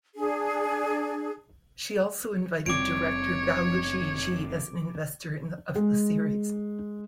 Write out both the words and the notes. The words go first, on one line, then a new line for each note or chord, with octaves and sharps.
She also invited director Gao Xixi as an investor of the series.
D4 G#4
F#1 G3 C4 C#5 D6 D7
G#3